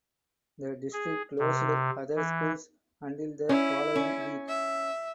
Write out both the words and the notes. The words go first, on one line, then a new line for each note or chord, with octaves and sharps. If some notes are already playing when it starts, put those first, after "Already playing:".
The district closed other schools until the following week.
G#4
C3
E3
C#4 E4
C#4
E5